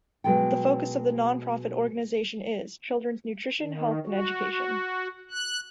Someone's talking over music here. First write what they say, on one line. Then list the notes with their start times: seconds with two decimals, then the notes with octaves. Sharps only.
The focus of the nonprofit organization is: children's nutrition, health and education.
0.24 B2 F#3 G#3 A4 G5
3.61 D#3
4.07 F#4
5.31 F#6